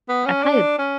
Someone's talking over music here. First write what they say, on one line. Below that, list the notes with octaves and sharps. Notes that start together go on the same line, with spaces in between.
I probably
B3
C#4
D4
C#4